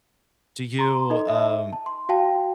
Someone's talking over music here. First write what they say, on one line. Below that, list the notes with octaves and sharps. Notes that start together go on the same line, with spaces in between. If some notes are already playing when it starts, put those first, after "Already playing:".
Do you, um,
A#5 C6
D#4 A4 D#5
E5
A5
C6
F#4 F5 G5 A5